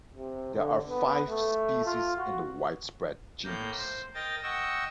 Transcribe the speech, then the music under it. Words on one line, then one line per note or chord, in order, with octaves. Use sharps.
There are five species in the widespread genus.
C3
D3
B3
A3
F4
F#4
A2 A#3 G6
C5
A#4 D#5 G5 A6
D#5 F#5 G5 C#6 E6